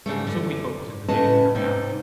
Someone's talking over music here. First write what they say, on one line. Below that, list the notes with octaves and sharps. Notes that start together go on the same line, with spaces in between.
So we hoped in the days that are past.
G#2 C#3 G3 A3
F#2 D3
A2 C#3 C#4 B4 D#5 A5
G#2 C3 D#4 D5